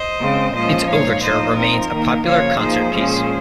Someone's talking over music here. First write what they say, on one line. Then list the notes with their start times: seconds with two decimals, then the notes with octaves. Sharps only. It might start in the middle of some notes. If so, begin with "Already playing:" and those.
Its overture remains a popular concert piece.
Already playing: C5 D#5
0.20 C#3 G#3 C4
0.54 A#2 F3 G#3 C#4 C5 D#5
0.88 A#2 G#3 D#4 C#5 F5
1.23 F3 A#3 D#4 C5 D#5
1.56 F3 C4 D#4 A#4
1.91 D#3 A#3 D#4
2.25 C#3 F3 A#3 C#5 F5
2.58 F3 A#3 D#4 G#4 C5
2.92 A#2 F3 G#3 C#4